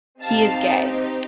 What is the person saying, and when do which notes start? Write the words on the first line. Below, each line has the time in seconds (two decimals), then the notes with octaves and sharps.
He is gay.
0.20 C4 D#4 G4 F5 A5